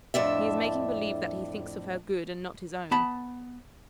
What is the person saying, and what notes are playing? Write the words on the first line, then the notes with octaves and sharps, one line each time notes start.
He is making believe that he thinks of her good and not his own.
F2 A2 D4 E5
B3 A5 B5